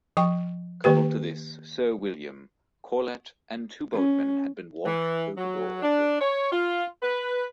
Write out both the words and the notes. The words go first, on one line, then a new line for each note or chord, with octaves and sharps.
Coupled to this, Sir William, Corlett and two boatmen had been washed overboard.
F3 G5 C#6
D#3 A#3 G4 B4
C#4
E3
F#3
D4
C#5
F4
B4